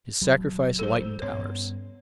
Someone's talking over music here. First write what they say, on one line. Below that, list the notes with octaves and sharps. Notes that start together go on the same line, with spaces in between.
His sacrifice lightened ours.
D#1 F#3
A4 C5
G2 B3 C#4 C#5